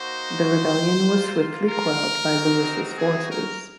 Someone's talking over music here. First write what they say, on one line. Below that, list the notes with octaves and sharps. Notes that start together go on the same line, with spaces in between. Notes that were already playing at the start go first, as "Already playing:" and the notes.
The rebellion was swiftly quelled by Louis' forces.
Already playing: A#3 D#4 F#4 C5
A#3 F4
A#4
C4 D#4 F#4
G#4
A#4